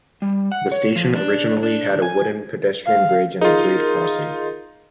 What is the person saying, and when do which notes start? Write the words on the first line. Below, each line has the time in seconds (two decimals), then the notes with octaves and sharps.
The station originally had a wooden pedestrian bridge and a grade crossing.
0.22 G3
0.52 F#5
0.72 C#5
0.96 F3
1.16 D4
1.63 D4
2.02 G#5
2.86 F5
3.41 D#4 F4 G#4 A#4 D#5